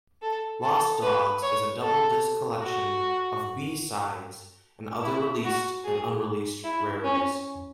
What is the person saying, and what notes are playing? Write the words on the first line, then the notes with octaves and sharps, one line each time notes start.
"Lost Dogs" is a double-disc collection of B-sides and other released and unreleased rarities.
A4
A4
B4
C#5
A4
F#4
E4
F#4
G#4
E4
C#4